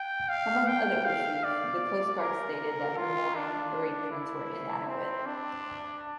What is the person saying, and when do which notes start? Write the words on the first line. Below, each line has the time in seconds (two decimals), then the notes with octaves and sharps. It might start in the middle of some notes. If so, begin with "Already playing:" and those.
Among other issues, the Coast Guard stated that her mooring arrangements were inadequate.
Already playing: G5
0.29 F5
0.67 G5
1.05 F5
1.44 D5
2.20 A#4
2.97 F4
3.35 D4
4.11 E4
4.87 C4
5.26 D4